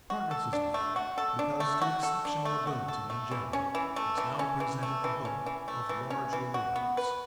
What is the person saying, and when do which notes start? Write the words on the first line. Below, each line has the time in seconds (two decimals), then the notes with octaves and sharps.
Progress is made because to exceptional ability in general is now presented the hope of large rewards.
0.10 F#4
0.31 A4
0.53 D4
0.74 A3
0.96 F#4
1.18 A4
1.39 D4
1.60 A3
1.82 F#4
2.03 A4
2.25 D4
2.45 A3
2.67 F#4
2.88 A4
3.10 A3
3.31 E3
3.53 C#4
3.75 E3
3.96 A3
4.18 E3
4.39 C#4
4.60 E3
4.83 A3
5.04 E3
5.25 C#4
5.46 E3
5.68 A3
5.89 E3
6.10 C#4
6.33 E3
6.54 F#4
6.76 B3
6.97 B4